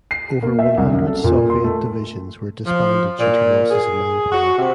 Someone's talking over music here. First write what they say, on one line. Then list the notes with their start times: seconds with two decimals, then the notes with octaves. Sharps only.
Over one hundred Soviet divisions were disbanded due to losses in manpower.
0.11 C7
0.43 A#3
0.59 E5
0.77 C2
0.91 F#2
1.07 A4
1.24 A#2
1.50 C6
1.64 A3
2.66 F3
3.19 A#2
3.71 G#4
4.32 F#4
4.58 C3